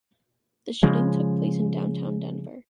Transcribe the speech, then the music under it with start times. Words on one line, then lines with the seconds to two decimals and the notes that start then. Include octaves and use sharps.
The shooting took place in downtown Denver.
0.83 C#3 F3 G#3